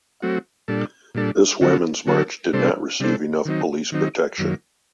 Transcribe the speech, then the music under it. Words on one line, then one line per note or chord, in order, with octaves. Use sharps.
This Women’s March did not receive enough police protection.
F#3 A3 C4 F#4
A#2 G3 D4 A4
A#2 G3 D4 A4
D3 F#3 A#3 F#4 A4
D3 F#3 A#3 F#4 A4
C3 G3 D4 A4 C5
C3 G3 D4 A4 C5
D#3 F#3 C4 D#4
D#3 F#3 C4 D#4
F#2 D#3 F#3 A#3